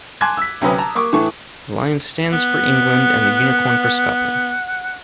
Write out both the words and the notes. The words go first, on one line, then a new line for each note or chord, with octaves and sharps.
The lion stands for England and the unicorn for Scotland.
G#5 A5 C6 D6 F#6 G#6
E6 B6
D2 C3 F#3 C#4 B4 D#6
A5 A#5
A#3 C#6 D6
A2 E3 A4 C#6
B3 F#5